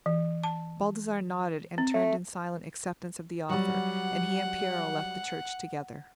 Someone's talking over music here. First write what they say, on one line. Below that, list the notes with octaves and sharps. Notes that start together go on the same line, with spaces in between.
Baldassarre nodded, and turned in silent acceptance of the offer, and he and Piero left the church together.
E3
A5
C4
A3
F#3 G3 F#5